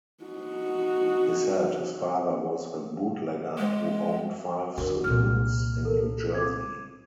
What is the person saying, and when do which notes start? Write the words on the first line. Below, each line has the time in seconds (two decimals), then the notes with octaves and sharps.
He said his father was a bootlegger who owned five saloons in New Jersey.
0.24 D#4 F#4
3.58 G#3
4.78 F#2 D3 F#4 A#4
5.04 C2 A#2 F6
5.85 A4 A#4
6.34 D6 G#6